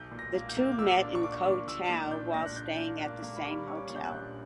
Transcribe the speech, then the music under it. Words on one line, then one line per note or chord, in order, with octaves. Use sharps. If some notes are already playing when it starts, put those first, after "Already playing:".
The two met in Koh Tao while staying at the same hotel.
Already playing: B1 G6
A#2
A#6
A#3
G6
A#3
D6
A#2 E6
D4
C#6
D4 D6
A#2
A#2 E6
A#2 D6
D4 G6
A#2 A#6
F#6
D4 G6
A#3
A#3
A#3
B5
G3 C#6
C#4 C#6
D6
A#2
G6
F#6
A#1